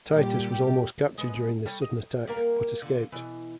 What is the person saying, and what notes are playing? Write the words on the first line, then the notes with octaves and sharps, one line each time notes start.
Titus was almost captured during this sudden attack, but escaped.
A#2 G3 G4
G#3 B3
G3 A4 C#5
D#5
G3 A#3 A#4
A#2 D3
B2 E3